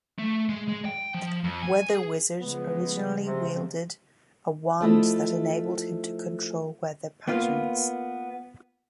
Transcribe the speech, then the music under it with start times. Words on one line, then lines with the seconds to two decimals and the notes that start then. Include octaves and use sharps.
Weather Wizard originally wielded a wand that enabled him to control weather patterns.
0.19 A3
0.49 G#3
0.69 G#3
0.85 G5
1.14 F3
1.44 F2
1.63 G#5
1.90 G#4
2.40 C#3 F3 G#3 B3
3.27 C3
4.80 F3 A3 E4 D#5
7.28 A#3 B3 F4